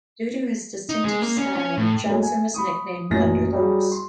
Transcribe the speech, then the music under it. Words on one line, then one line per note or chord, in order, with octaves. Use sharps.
Due to his distinctive style, Johnson was nicknamed "Thunder-Thumbs".
D#4
G#3
A#3
C#4
C#4
A2
G#2 F#3 A3 A#3
G#5
B5 C#6 D#6
A1 F#2 A#2 F#3 A#6
F#3 G3 F#4 G#4
C6